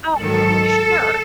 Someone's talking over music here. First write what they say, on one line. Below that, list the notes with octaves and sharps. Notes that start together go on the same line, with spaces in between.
Oh, for sure.
G#2 D#3 F#3 A4